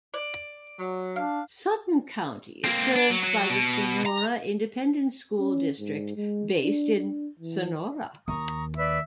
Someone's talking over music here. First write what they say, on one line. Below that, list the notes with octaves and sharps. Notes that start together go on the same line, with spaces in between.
Sutton County is served by the Sonora Independent School District based in Sonora.
D5
F#3
D4 F5
A#3 C4
D4
F#3
F#3 F#4
B2
A#5
C#4
G#2
G#3
D4
D4
E3
D#2 A#5 C#6 D#6
B4 D5 E5